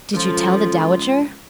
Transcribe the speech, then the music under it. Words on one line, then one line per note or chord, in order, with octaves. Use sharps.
"Did you tell the Dowager?"
C#2 F3 F4 A4